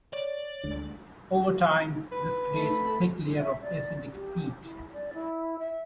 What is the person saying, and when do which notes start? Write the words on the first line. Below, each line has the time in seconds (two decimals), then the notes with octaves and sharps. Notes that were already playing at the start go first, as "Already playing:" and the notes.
Over time, this creates a thick layer of acidic peat.
0.13 C#5 D5
0.64 D2 D3 G#3
2.12 B4
2.54 A3 B5
3.37 E5
3.62 D5
4.12 G4
4.63 E4
4.93 D5
5.14 E4
5.59 E5